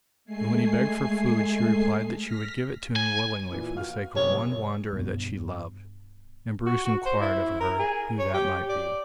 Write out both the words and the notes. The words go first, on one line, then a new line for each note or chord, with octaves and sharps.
And when he begged for food she replied that she would give it to him willingly for the sake of one wanderer that she loved; and Bruce inquired of her who that might be.
G#3 A3 G#5 C7
F6 A#6 B6
G#5
A#2 E3
F#4 F5 F6
F#1 C3 C#5
G2 B2
F#4
F#4
C5
E4
A#4
G#4
C#5
G4
D5